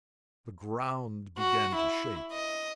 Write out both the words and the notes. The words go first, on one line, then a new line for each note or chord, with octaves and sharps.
The ground began to shake.
F#4
E4
D#5